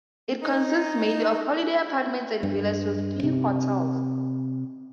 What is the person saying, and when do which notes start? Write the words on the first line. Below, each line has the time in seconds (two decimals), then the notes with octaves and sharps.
It consists mainly of holiday apartments and villas, with few hotels.
0.43 D#4
2.43 G2
3.23 C3